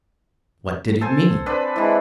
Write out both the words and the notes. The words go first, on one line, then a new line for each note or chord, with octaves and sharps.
What did it mean?
A4 C5 G#5
C4 D4 B4
E3 G#3 D4 E4